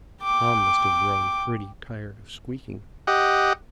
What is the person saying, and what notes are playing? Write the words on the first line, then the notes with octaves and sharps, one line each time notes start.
Tom must have grown pretty tired of squeaking.
G5 D6
G4 D#5 F#5